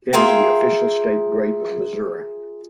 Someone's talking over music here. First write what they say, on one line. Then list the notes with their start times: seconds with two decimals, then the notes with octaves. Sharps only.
It is the official state grape of Missouri.
0.13 F4 G#4 A#4 E5 G5